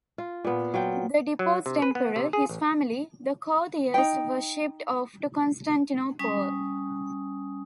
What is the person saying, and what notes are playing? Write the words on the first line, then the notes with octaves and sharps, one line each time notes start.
The deposed emperor, his family, and courtiers were shipped off to Constantinople.
F4
A#2 B3
F#3 F4 G5
F#3
C3
B4
B3
C3
G#4
A1
D#4 G5
G3 C#4 G#5 D#6